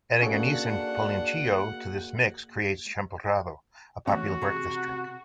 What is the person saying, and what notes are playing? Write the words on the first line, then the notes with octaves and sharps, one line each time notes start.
Adding anise and "piloncillo" to this mix creates "champurrado", a popular breakfast drink.
A#3 C#4 D4 F#4 G#4 A4 F#5
E3 A3 C#4 F#4
C3 G#4 A#5